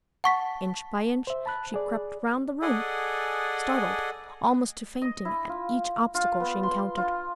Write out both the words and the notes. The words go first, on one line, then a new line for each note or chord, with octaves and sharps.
Inch by inch, she crept round the room, startled almost to fainting at each obstacle she encountered.
F#5 A5 C#6 B6
C5 E5
A5 B5 F#6
G#4 D5
G#4 A4 D5 D#5 F#5 G#5
D#5
E4
F4
F4
B3
C6
F4